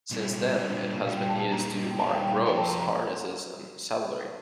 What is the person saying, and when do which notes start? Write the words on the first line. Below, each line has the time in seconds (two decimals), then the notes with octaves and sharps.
Since then, it has been used to make ropes, harnesses and saddlery.
0.11 A#2 G3 C4 F4
0.58 A#2 G3 D4 F4
1.05 A#2 G3 D4 F4 F5
1.17 G5
1.29 A5
1.40 A5
1.52 A#2 G3 A#3 D#4 G4 A#5
1.91 G5
1.99 A#2 G3 A#3 D#4 G4 A5
2.10 F5
2.14 G5
2.31 F5
2.46 F2 C3 F3 C4 F4 G5
2.57 A5
2.69 A#5
2.82 A#5